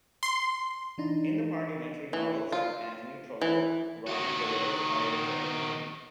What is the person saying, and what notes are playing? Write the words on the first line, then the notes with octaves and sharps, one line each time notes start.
In the parliamentary novels of Anthony Trollope rotten boroughs are a recurring theme.
C6
E3 D4 D#4
E3
F4
E3
D#3 F#4